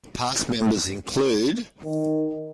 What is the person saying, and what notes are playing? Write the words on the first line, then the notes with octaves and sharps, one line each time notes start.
Past members include...
D#3